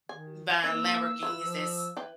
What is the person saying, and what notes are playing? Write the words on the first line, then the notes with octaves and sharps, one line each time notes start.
buying Lamborghinis that's
D#3 G#5
A#3 C4 D#4 A#4 E6
E4 F4 B4
F3
E3 B4 G5